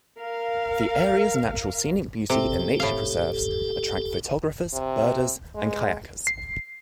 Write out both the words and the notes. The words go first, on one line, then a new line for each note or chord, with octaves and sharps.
The area's natural scenic beauty and nature preserves attract photographers, birders and kayakers.
A#4 F5
C3 G4 A4
A2 F5
C3
G#3
C7